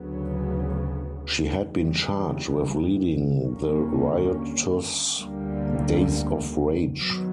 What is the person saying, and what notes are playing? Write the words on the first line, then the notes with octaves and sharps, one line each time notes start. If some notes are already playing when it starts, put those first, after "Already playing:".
She had been charged with leading the riotous "Days of Rage".
Already playing: D2 C#3 F#3 B3
D#2 C#3 E3 G3
D#2 D3 G3 A#3 C#4
D2 D3 G3 A#3
F#2 D#3 F#3 B3